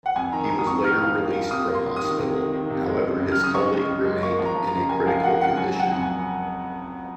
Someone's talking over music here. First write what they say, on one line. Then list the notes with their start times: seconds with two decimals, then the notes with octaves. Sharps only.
He was later released from hospital, however his colleague remained in a critical condition.
0.06 F#5
0.16 F2 G#5
0.32 D#3 A#5
0.50 D#3 A#5
0.59 D#6
0.66 F2 C#6
0.84 D#3 F6
1.00 F4 F6
1.18 A#3
1.34 F4
1.51 C3 D#6
1.69 A#3
1.75 C6
1.85 C3
1.96 D#6
2.02 D#3
2.19 C3
2.36 D#3
2.53 D#3
2.70 C3
2.86 G#3
3.04 F#2
3.20 C#3
3.32 F6
3.37 F#2
3.44 D#6
3.54 G#3 C#6
3.72 G#3
3.88 C#3
4.05 G#3
4.23 A#3 C#6
4.39 F3
4.45 A#5
4.56 F3
4.67 A#5
4.73 C#3
4.89 A#3 G#5
5.06 F3 F5
5.18 F5
5.24 A#3 F#5
5.40 C#3 F#5
5.57 F#3 G#5
5.75 F#3 F#5
5.92 F2
6.02 G#5